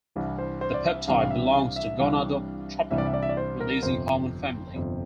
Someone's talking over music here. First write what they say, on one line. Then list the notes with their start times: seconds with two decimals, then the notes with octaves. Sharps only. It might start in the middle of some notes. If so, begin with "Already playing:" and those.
The peptide belongs to gonadotropin-releasing hormone family.
0.16 C2 C3 E3 G3 D4
0.39 C5
0.61 C5
0.74 D5
0.85 E5
1.07 C2 C3 E3 G3 D4 F5
1.23 F5
1.31 E5
1.53 F5
1.76 E5
1.99 C2 C3 E3 G3 D4 F5
2.91 C2 C3 E3 G3 D4 E5
2.98 D5
3.06 E5
3.14 D5
3.23 E5
3.29 D5
3.37 C5
3.60 A#4
3.83 G1 F2 C3 C5
4.74 G1 F2 C3